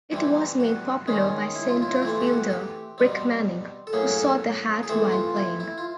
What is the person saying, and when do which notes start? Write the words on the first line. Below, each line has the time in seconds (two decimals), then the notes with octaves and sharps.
It was made popular by center-fielder Rick Manning, who saw the hat while playing.
0.12 E3 G3 C4
0.60 F#4
1.08 D#3 G#3 C#4
1.55 E4
1.69 F4
1.82 E4
1.96 F4
2.02 E3 A3 C4 E4
2.20 G4
2.27 F#4
2.50 G4
2.98 B2 G3 C4
3.87 A4
3.93 A2 F#3 A#3 C#4 G#4
4.17 A4
4.83 G#4
4.89 E3 A3 C4 A4
5.12 F4
5.36 E4
5.60 E4
5.78 F4